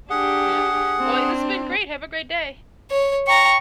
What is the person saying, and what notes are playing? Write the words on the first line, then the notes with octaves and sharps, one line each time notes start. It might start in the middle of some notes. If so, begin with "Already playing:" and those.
Yep. Well, it this been great, have a great day.
D4 G4 G#4 F#5
C4 D4
C#5
G5 A#5 C#6